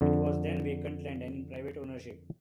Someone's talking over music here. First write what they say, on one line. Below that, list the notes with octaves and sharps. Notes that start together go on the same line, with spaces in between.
It was then vacant and in private ownership.
F2 D3